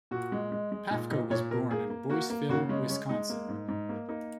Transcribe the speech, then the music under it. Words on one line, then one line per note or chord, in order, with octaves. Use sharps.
Pafko was born in Boyceville, Wisconsin.
A#2 F#4
G#3
G#3
G#3
A#2 D#4
A#2 D#4
A#2 C#5
A#2 A#4
A#3 G#4
A#3
A#3 F#4
A#3
C#3 F#4
G#3 C#4
G#3 C#4
G#3 D#4
A#3
G#2
G#2
A#3
A#3 D#4